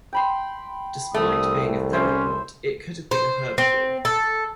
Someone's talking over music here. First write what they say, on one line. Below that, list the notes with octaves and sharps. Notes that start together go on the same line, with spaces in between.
Despite being a theropod, it could have been a herbivore.
G5 B5 C6
C2 A3 D#6
C#4 E4 C5 E5
C5
C4
A4